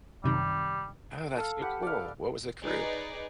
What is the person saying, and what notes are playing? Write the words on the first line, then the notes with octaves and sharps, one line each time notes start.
Oh, that's so cool. What was the group?
F#2 C3 D#3 G3
A4 F5
G4 B4 F#5
D5 F5
D#4 G#4 B4 D5